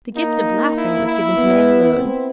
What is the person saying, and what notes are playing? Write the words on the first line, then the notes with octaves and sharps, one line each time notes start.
The gift of laughing was given to man alone.
A#3 D#4
E4
E4
B3
C4